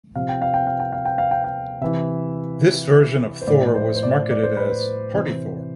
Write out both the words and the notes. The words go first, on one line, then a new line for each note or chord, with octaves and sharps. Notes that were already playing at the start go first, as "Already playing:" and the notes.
This version of Thor was marketed as "Party Thor".
C3 F3 F5
G5
F5
G5
F5
G5
F5
G5
F5
G5
F5
C3 E3 E5
C5
A2 F3 D5
C5
C5
D5
D5
C5
B4
C5
C3 E3